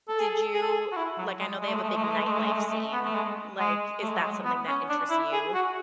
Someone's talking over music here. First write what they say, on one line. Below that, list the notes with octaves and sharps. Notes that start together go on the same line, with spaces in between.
did you like, I know they have a big nightlife scene. Like, is that something that interests you?
A4
G#4
A4
G#4
A4
G#4
F#4
E4
F#3
G#3
G#3
A3
G#3
A3
G#3
A3
G#3
A3
G#3
A3
G#3
A3
G#3
A3
G#3
A3
B3
A3
G#3
G#3
A3
G#3
F#3
G#3
B3
C#4
D4
E4
G#4
F#4